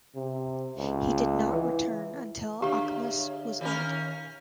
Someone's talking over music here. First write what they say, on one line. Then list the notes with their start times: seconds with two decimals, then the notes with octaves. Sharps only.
He did not return until Ochimus was old.
0.15 C3
0.77 C#2
1.52 E3
2.62 D3 G4 G#4 C#5 E5 F5
3.61 D#3 C#4 A#4